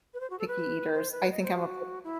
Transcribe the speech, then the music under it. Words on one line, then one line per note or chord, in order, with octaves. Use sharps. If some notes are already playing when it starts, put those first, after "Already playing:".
picky eaters, I think I'm a p
B4
C5
F#4
A4
B4
C5
B4
D#5
C5
F#4
E4